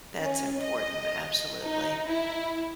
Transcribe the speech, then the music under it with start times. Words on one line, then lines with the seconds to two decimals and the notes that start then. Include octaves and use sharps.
That's important, absolutely.
0.22 C#4
0.60 D#5
1.63 D#4
2.06 E4